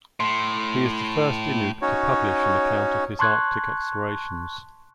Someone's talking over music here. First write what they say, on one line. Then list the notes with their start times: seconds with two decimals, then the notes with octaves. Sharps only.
He is the first Inuk to publish an account of his Arctic explorations.
0.20 A2 C6
1.82 C#4 D#4 F#4 C#5
3.19 A5 C6 C#6 F#6 G#6